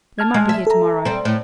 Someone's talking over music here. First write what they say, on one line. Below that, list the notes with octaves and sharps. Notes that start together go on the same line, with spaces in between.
They might be here to-morrow.'
A5 F6 G#6
G#3
E5
A4 A#5
G3 C4
A2